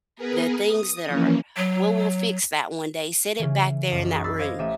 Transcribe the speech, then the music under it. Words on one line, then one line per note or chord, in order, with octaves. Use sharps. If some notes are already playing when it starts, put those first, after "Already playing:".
the things that are, "Well, we'll fix that one day," set it back there in that room.
B3 G#4 A#4 B4
D#6
E3 F3 A#3 C#4
F#3
C#3 E3
B1 F#2
D#4 F#4 G#4
B5 D6 E6 A6 B6 C7
C5 D#5 F5 G#6
A1 A3 G4 E5 D#7 E7